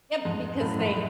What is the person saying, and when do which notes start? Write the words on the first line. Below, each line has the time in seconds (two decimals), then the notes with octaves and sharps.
Yep, because they h
0.25 F2 G#2
0.61 F#2 A2
0.78 F2 G#2